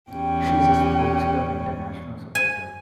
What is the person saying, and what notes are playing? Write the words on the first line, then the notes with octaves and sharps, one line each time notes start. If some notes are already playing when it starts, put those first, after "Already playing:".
She is a Sport Club Internacional supporter.
E2 C#4 G4 G5
G#5